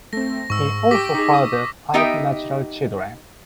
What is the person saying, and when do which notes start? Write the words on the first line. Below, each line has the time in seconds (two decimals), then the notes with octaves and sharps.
He also fathered five natural children.
0.13 A3 C4 A#6
0.50 G#2 C#6 E6
0.91 G4 G5 D6 A#6 B6
1.14 D#4 G#4
1.33 D#6
1.94 B3 D#4 G4 D#5 E5 G5